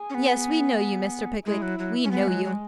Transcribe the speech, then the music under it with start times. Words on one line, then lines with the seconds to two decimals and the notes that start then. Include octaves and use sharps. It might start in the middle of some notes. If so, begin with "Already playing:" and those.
Yes; we know you, Mr. Pickwick; we know you.'
Already playing: G#4
0.10 C#4
0.14 B3
1.46 G#3 E4
1.62 F#3
1.79 F#3
2.04 C#4
2.11 G#3 B3
2.28 F#3
2.44 F#3